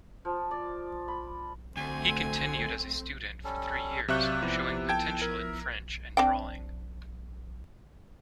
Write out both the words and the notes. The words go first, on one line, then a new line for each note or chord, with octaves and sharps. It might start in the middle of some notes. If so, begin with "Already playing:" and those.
He continued as a student for three years, showing potential in French and drawing.
F3
D5
B5
D2 A3 C4 G#5
G3 C#4 A4
C3 F#3 D5 E5 F5 C#6 F#6 G6
F3 B3 E4 D5
A4 G5 A5 G#6
A#4 E5
C4 D4 G5